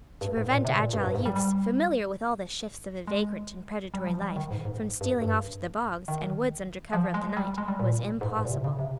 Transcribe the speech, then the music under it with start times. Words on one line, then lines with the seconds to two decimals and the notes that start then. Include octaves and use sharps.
To prevent agile youths, familiar with all the shifts of a vagrant and predatory life, from stealing off to the bogs, and woods under cover of the night, was impossible.
0.21 G2
0.37 G#2
0.51 A#2
0.65 C3
0.79 A#2
0.93 G2
1.04 G2
1.15 G#2
1.26 G3
1.36 G3
3.07 G#3
3.94 G3
4.07 F3
4.22 G3
4.36 D#3
4.51 G#2
4.65 G#2
5.01 G2
5.21 G2
6.08 D#3
6.93 F3
7.14 G#3
7.37 G3
7.58 G#3
7.68 G3
7.80 A#2
8.21 G#2
8.36 G#2
8.45 A#2
8.51 C3
8.64 C#3
8.79 C3